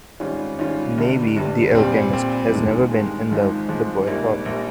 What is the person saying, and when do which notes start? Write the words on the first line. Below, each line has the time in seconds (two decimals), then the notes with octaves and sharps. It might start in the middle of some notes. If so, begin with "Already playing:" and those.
Maybe the alchemist has never been in love, the boy thought.
0.20 G#1 G#2 G3 C#4 F4
0.59 G#1 G#2 G3 C#4 F4
0.98 G1 G2 G3
1.37 G1 G2 G3
1.75 A#2 G3 C4
2.13 A#2 G3 C4
2.52 G2 D#3 G#3
2.91 G2 D#3 G#3
3.30 G#1 G#2 F3 G#3
3.69 G#1 G#2 F3 G#3
4.07 A#1 G#2 G3 A#3
4.46 A#1 G3 A#3